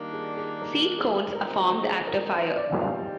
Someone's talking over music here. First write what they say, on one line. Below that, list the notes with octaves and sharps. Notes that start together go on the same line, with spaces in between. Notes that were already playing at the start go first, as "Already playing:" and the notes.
Seed cones are formed after fire.
Already playing: D#3 G3 A#3 D4
G#4
G#4
A#4
G#4
D3 F3 C4 D#4 A#4
C5
G#4
A#4
C5
D5
D#3 G3 C4 F5